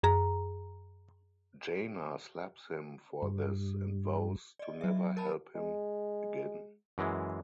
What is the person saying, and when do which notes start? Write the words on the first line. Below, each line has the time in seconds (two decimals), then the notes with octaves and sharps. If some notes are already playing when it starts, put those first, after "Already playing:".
Jaina slaps him for this and vows to never help him again.
0.03 F#2 G#4 A#5
3.23 G2
4.59 D5 D#5
4.81 F#3 E5
5.17 A#4 A5 B5
5.55 G#3
6.98 F#2 E3 G#3